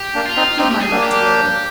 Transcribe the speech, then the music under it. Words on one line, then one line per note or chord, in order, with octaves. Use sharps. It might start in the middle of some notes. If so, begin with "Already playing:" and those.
Give my love to Lily.
Already playing: G4
A#3 D4
F4
C4 D#4
C4 D#4 G4
G4
G#4
A#3 D4
G4